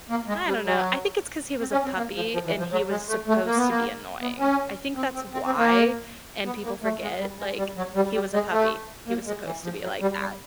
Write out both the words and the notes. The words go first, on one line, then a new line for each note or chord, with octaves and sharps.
I don't know, I think it's 'cause he was a puppy and he was supposed to be annoying. I think that's why, and people forget, like, he was a puppy, he was supposed to be like that.
A#3
G#3
G3
F#3
C4
C#4
C4
A#3
F3
F3
E3
F3
F#3
G#3
A3
A3
A#3
B3
A#3
B3
C#4
C4
C4
C4
C4
A#3
B3
A#3
A3
G#3
G3
G#3
G3
F#3
G3
G3
G#3
A3
A#3
G#3
E3
F3
F#3
G3
G3